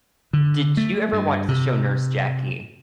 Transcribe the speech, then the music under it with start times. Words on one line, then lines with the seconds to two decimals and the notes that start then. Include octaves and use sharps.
Did you ever watch the show Nurse Jackie?
0.33 D3
0.77 A3
1.13 G2
1.49 C3